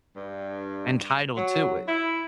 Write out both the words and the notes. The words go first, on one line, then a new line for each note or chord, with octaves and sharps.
entitled to it.
G2
F#3
E4